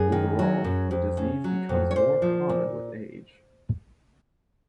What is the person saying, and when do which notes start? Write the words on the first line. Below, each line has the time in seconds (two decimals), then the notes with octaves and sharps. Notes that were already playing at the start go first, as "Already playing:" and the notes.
Overall the disease becomes more common with age.
Already playing: F#2 G#4
0.12 D#3
0.39 F#3
0.64 F#2
0.91 F2
1.17 C#3
1.44 F#3
1.69 F2
1.91 C#5
1.96 A#2 C5
2.22 F3
2.49 A#2